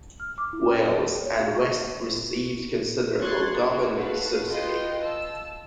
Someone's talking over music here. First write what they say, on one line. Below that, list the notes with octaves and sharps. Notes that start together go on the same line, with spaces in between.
Wales and West received considerable government subsidy.
F6
D6
E4
G5
C#5
F5
C#6
C6 C#6 F#6 G#6 A6
D4 E4 F#4 C#5
F#4 A4 B4 F5
F4 B4 D#5 G5 C6
A5 E6